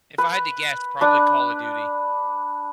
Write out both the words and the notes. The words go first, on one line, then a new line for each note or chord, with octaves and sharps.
If I had to guess, probably Call of Duty.
B4
D4 B4